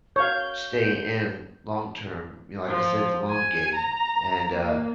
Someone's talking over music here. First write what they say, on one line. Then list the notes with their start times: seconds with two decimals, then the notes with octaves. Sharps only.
stay in long term. You know, like I said, it's a long game, and, uh,
0.16 C#5 F5 G6
2.68 F3
3.29 G#5
3.76 A#5
4.53 A#3